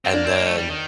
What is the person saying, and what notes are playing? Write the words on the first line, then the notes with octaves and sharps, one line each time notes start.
and then
C4
A#3 D4
C4
A#3
A3
G3
D#3